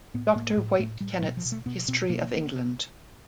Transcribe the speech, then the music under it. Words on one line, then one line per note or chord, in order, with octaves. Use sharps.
Doctor White Kennett's "History of England".
A2 B3
A2 A#3
A2
A2 A3
A2 G3
B2 F#3
F3
B2
A3
B2 B3
B2 C4
B2 A#3